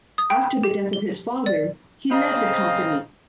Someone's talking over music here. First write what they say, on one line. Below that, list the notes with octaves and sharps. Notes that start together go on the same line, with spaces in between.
After the death of his father, he led the company.
D#6
G5
G4
G7
D5
C#3 C4 C5 D#5 F5 A#5